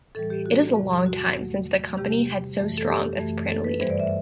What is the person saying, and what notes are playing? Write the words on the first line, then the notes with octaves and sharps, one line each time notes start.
It is a long time since the company had so strong a soprano lead.
A2 E3 G3 A4
G4
F#4
E2 C3 G3
F#4
E2 D3 F#3 A3
E2 C3 G3 G4
F#2 E3 A3
A4
G4
F#2 E3 A3
A4
B4
G2 E3 G3 C5
D5
E5